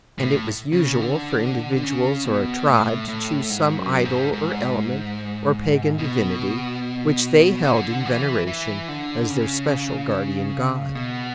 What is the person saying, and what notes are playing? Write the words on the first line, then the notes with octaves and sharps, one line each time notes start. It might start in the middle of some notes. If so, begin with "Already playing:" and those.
And it was usual for individuals, or a tribe, to choose some idol, or element, or pagan divinity, which they held in veneration as their special guardian god.
A2
C#3
D3
D3
C#3
B2
A2
A2
G#2
F#2
G#2
G#2
B2
D3
E3
E3
D3
C#3
B2